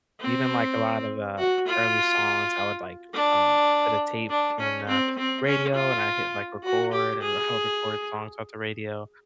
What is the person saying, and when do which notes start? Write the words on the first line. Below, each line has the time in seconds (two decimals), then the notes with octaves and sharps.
even, like, a lot of the early songs, I would, like, um, put a tape in the radio, and I hit, like, record, and I would record songs off the radio.
0.21 C4
1.38 F#4
1.68 F4
3.14 D4
4.30 D4
4.60 C#4
4.88 C4
5.18 C4
5.46 C#4
5.75 F4
6.64 F#4
6.92 G4
7.23 G#4